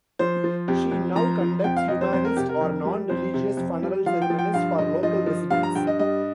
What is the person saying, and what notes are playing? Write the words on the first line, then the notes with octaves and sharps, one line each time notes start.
She now conducts humanist or non-religious funeral ceremonies for local residents.
F3 C5
F3
F2 G4
F2
F3 A#5
F3
F2 G5
F5
F2 D#5
C5
F2 C5
A#4
C3 G4
A#4
F2
G3
F2 C5
C3
F2
G3
F3 F5
G5
F3
G5
G2 F5
G2 D#5
F3 D#5
F3
G2 F5
A#5
G2 G5
D#5
G3 D#5